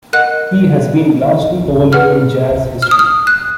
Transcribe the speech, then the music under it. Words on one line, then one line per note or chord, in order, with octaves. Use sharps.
He has been largely overlooked in jazz history.
A#4 D#5 F#5 F#6
G#4 B4 F#5 F6
F6
D#6
F6
F#6